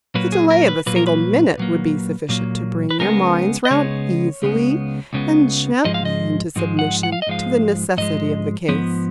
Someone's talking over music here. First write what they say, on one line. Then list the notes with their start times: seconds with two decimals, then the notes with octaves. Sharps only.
The delay of a single minute would be sufficient to bring their minds round easily and gently into submission to the necessity of the case.
0.14 A#2 F#3 A#3 B4
0.32 G#4
0.50 A#4
0.68 B4
0.86 A#2 F#3 A#3 B4
0.96 A#4
1.07 B4
1.58 A#2 F#3 A#3
2.29 A#2 F#3 A#3
2.91 B4
2.99 C#2 C#3 G#3 B3 A#4
3.65 D#5
3.71 C#2 C#3 G#3 B3 C#5
4.42 C#2 C#3 G#3 B3
5.13 C#2 C#3 G#3 B3
5.85 G#2 F3 G#3 D#5
5.94 F5
6.05 D#5
6.56 G#2 F3 G#3
6.79 F#5
7.03 F#5
7.12 F5
7.22 D#5
7.27 G#2 F3 G#3 F5
7.97 G#2 F3 G#3 D#5
8.69 G#2 F3 B3